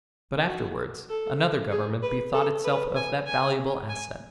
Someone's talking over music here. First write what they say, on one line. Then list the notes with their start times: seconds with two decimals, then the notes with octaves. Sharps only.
But afterwards another Government bethought itself of that valuable asset.
0.46 F#4
1.09 A4
1.71 G#4
2.02 B4
2.33 A4
2.64 B4
2.96 G#5
3.26 G#5
3.89 G#5